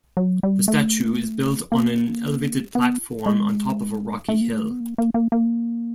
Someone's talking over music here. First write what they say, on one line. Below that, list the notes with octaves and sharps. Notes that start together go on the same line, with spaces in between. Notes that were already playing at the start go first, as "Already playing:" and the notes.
The statue is built on an elevated platform on top of a rocky hill.
F#3
G3
A3
A#3
B3
G#3
A3
A#3
A3
B3
A#3
A#3
A#3
A#3